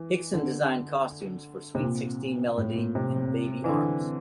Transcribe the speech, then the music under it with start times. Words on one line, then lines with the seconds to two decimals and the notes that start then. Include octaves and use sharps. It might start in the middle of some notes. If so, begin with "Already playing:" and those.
Hickson designed costumes for "Sweet Sixteen Melody" and "Baby Arms".
Already playing: E3
0.33 D3
1.75 C3
1.82 A#2
2.58 A2
2.76 A#2
2.95 C3
3.64 E3
3.69 D3